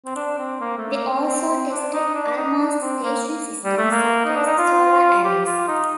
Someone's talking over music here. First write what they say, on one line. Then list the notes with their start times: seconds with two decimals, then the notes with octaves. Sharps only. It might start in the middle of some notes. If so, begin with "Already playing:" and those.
They also tested Almaz station systems, such as the solar arrays.
0.06 C4
0.16 D4
0.38 C4
0.60 A#3
0.77 A3
0.93 A#3
1.10 C4
1.27 C4
1.49 C4
1.71 D4
1.93 D#4
2.15 D4
2.36 D#4
2.59 D4
2.81 C4
3.04 A#3
3.65 G3
3.78 A3
3.91 A#3
4.25 D#4
4.36 D4
4.47 D#4
4.58 F4
5.24 G4
5.46 F4
5.68 D#4